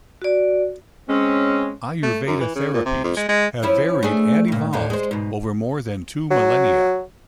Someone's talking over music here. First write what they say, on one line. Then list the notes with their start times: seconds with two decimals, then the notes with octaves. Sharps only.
Ayurveda therapies have varied and evolved over more than two millennia.
0.22 F#4 D5
1.09 G#3 C4 C#4
2.03 A3
2.27 F#2
2.41 E3
2.56 C#3
2.73 A#2
2.86 C3
3.04 F2
3.17 G#3
3.29 G#3
3.63 F3 C#4 E4
4.03 A3 D4 G#4
4.48 G2 A#2
4.73 D#2 A2 D3
4.90 G#3 C5
5.11 G#2 B2
6.31 F#3